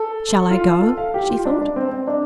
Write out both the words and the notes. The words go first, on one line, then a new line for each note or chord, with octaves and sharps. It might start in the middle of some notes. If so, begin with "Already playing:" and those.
"Shall I go?" she thought.
Already playing: A4
F4
A4
F5
G4
F4
D4
D4
C4
C4
D4